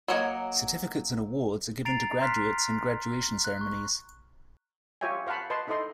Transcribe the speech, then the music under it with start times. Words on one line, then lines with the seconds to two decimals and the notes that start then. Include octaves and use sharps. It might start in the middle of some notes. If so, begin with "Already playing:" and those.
Certificates and awards are given to graduates in graduation ceremonies.
0.08 F#3 A#3 A#4 C#5 D#5
1.85 A#5 A6 C7 D7 F7
2.21 A#5 C6 F6 F#6 B6 C7
3.45 F#6
3.61 C#6
5.01 F4 G4 C#5 E5 G5 G#5
5.27 C5 F5 F#5 A5 B5
5.50 B4 D#5 A5 C6
5.67 D#4 E4 A4 C5 D#5 C6